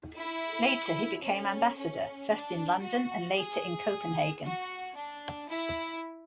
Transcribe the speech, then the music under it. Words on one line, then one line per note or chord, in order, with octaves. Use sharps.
Later he became ambassador, first in London and later in Copenhagen.
E4
C#4
C#4
D4
F#4
G#4
F#4
D4
E4